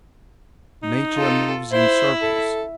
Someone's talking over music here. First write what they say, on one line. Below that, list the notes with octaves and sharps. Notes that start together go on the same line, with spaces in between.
Nature moves in circles.
D#4
F4 A4
E4 C5
A4